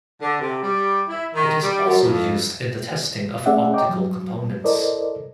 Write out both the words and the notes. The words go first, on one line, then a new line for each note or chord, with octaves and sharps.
It is also used in the testing of optical components.
D3
C3
G3
E4
D#3
G3
F#2
F2
A3 C#4 G#4 D5 E5 F#5
C#5 D#5 G5 A#5 D6
F#3
E4 A4 A#4 C5 D5 D#5